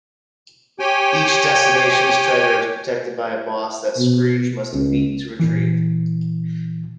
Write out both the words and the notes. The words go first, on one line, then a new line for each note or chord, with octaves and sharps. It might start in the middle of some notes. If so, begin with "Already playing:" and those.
Each destination's treasure is protected by a boss that Scrooge must defeat to retrieve.
G4 C#5 G5 G#5
B2
C#2
A#2 E3